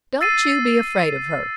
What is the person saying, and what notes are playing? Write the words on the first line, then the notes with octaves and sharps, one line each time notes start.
Don't you be afraid of her.
E6 A6 C7 D#7